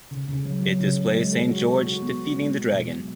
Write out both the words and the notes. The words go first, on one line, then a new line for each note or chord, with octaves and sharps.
It displays Saint George defeating the Dragon.
C#3
C#3
F#3
F#3
C#3
C#3
G#3
A4
F#4
A4
F#4
B3
F#4
G#3
B3
B2
F#3